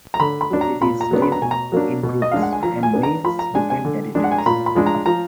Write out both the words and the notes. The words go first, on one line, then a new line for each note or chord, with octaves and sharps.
Many species live in groups and males defend territories.
A#5
D3 B5
B5
F#3 D4
A#5
A#2 B5
A#5
F#3 B3 D4
B5
A#5
B2 G#5
A#5
F#3 A#3 D4
B2
D#5
G#3 D4 F5
F#5
G#5
F3 A#5
G#5
B3 D4
A#5
F3 B5
A#5
G#3 D4 G#5
G#5
D3
G#3 D4
F#5
G#5
A#5
A#2 B5
B5
F3 G#3 D4
A#5
F3 A#5